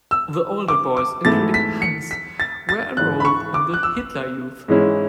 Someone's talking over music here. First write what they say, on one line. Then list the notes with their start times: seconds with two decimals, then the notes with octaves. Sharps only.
The older boys, including Hans, were enrolled in the Hitler Youth.
0.11 E6
0.68 D6
0.97 D6
1.25 G#2 E3 A3 E4 A6
1.54 B6
1.82 C#7
2.11 B6
2.40 A6
2.69 A6
2.97 G#1 G#2 E3 F#6
3.20 B5
3.25 C#6
3.54 D6
3.74 F#6
3.83 E6
4.68 G#2 E3 G#3 C#4 E4